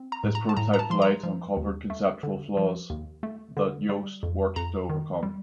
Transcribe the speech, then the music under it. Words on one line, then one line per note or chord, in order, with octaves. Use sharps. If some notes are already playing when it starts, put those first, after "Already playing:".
This prototype flight uncovered conceptual flaws that Yost worked to overcome.
Already playing: C4
A#5
A2
A#5
A5
A2 A#5
A#5
A5
F3 C6
A#5
F3
D#2
A3
D3
F3
D#2
A3
D3
G3
F2
F2 A#5
D#3
G3